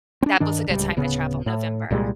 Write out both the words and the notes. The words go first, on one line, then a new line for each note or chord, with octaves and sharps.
That was a good time to travel, November.
C4 D4
G2 D#3 D4
D1 C#2 G3
D1 C#3 B3
A2
C2 A#2 G3 G#3